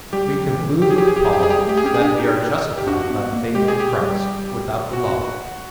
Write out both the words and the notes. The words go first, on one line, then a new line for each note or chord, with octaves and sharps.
We conclude with Paul, that we are justified by faith in Christ, without the Law.
G3 G4
F#3
E3
F3 G4
G#4
G4
G#4
G4
F#3 G#4
G4
G#4
G3 G4
G#4
A3 G4
G#4
C#4 G4
G#4
D4 G4
D#4
G4
D4 F#4
B3
A#3
G#3 G4
G#4
G4
G3
F#4